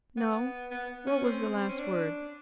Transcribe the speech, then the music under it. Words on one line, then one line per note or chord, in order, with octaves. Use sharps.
No? What was the last word?
B3
B3
C#4
C4
C#4
D4